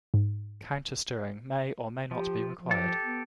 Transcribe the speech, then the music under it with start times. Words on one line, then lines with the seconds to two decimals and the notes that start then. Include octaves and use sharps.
Countersteering may or may not be required.
0.14 G#2
2.11 F3 G4
2.57 F3
2.71 G4 A4
3.03 B3